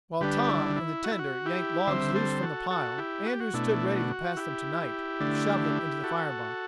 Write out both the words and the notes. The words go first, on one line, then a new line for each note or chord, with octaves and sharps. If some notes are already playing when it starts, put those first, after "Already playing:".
While Tom, in the tender, yanked logs loose from the pile, Andrews stood ready to pass them to Knight, who shoved them into the fire-box.
D3 G3 D4 G4 B4
E4
E4
F#4
E4
F#4
E4 G4
D3 G3 C4 C5 E5
A4 C5
F#4 A4
F#4 A4
E4 G4
F#4
G4
F#4
B2 A3 D4 E4
F#4
E4 G4
D3 A3 D4
F#4 A4